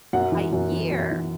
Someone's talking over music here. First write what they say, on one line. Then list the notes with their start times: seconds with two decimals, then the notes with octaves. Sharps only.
A year.
0.13 F#2 F#5
0.32 E3
0.53 F#2
0.72 E3
0.91 F#2
1.11 E3